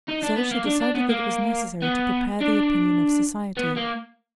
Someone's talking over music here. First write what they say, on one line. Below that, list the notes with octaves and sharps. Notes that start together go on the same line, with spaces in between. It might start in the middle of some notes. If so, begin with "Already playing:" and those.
So she decided that it was necessary to prepare the opinion of society.
D#4
D4
B3
A#3
D4
D4
B3
A#3
B3
D4
B3
A#3